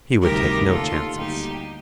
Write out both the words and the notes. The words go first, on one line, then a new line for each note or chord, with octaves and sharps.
He would take no chances.
D2 C3 D#3 G3 G4 A#4
D#2 D3 A3 F4 A4
D2 D3 G3 A#3 D#4 G4